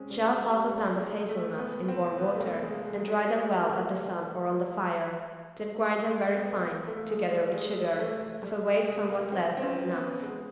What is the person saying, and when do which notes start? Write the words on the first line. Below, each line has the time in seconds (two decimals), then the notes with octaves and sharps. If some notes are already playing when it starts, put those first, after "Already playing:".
Shell half a pound of hazelnuts in warm water and dry them well at the sun or on the fire, then grind them very fine, together with sugar, of a weight somewhat less than the nuts.
Already playing: G#3 C4 C#4
0.10 G3
0.40 G3
0.69 G3
0.99 G#3
1.29 A3
1.58 B3
1.88 C4
2.18 B3
2.35 A3
2.40 A#3
2.63 G#3
2.85 G#3
3.08 G3
3.60 A#3
3.67 A3
5.75 A3
6.05 A#3
6.35 B3
6.65 A#3
6.87 A3
7.10 G#3
7.32 G3
7.54 G#3
7.99 A3
8.43 G3
8.66 G#3
8.88 G#3
9.10 A#3
9.32 C4
9.57 C4
9.62 C#4
9.92 B3
10.22 G#3